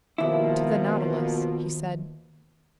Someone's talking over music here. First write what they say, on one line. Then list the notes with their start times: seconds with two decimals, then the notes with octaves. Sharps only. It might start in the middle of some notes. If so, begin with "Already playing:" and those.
"To the Nautilus," he said.
0.18 D#2 B2 F3 A#3 E4